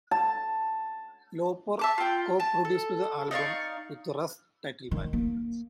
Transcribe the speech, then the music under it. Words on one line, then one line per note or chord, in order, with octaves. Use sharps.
Lauper co-produced the album with Russ Titelman.
A5
E5 A5 D6
F4 G5
A5
A4
D#4 D5 F5 C#6
D#3
A#3